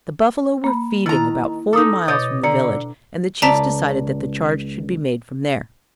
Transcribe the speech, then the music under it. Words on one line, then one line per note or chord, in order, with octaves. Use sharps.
The buffalo were feeding about four miles from the village, and the chiefs decided that the charge should be made from there.
A#3 B5
D#3 E4 A#5
D#4 A4 D6 D#6
B2 C#5 D#5 D6 D#6 G6 A6
D3 D5 A#5 C#7
C#2 D5 A5 A#5 B6